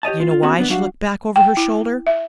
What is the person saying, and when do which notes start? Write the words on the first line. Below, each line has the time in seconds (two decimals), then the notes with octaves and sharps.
"D'you know why she looked back over her shoulder?"
0.03 G4 C#5 D#5 A5
0.19 A#2 F4
0.31 F4
0.43 B3 C#4 F#4 A4 C#5
0.57 D2 B3 D4 B4
0.69 F#3 D4 F#4 F5 F#5
1.36 G5
1.57 E4
2.07 E5